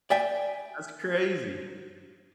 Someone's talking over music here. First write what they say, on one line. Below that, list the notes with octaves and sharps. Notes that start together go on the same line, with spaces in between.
That's crazy.
D5 E5 G5 G#5